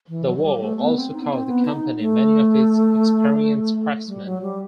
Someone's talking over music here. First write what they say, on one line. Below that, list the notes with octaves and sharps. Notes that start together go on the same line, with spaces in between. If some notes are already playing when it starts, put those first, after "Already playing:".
The war also cost the company many of its experienced craftsmen.
E3
F#3
F#3
G3
A3
B3
C4
D#4
B3
C4
B3
D#4
A3
G3
F#3
G3